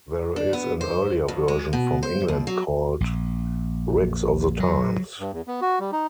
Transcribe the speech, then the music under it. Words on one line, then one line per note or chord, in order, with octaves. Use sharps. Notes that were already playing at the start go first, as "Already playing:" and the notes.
There is an earlier version, from England, called "Rigs of the Times".
D4
B3
C5
F2
G#3
B2
C5
D#2
F#3
A#1
F#3
G2
E2
B3
F#4
G3
D#4